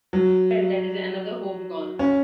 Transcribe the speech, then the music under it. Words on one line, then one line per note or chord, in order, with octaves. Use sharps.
Well, that is another hope gone.
F#3
C#4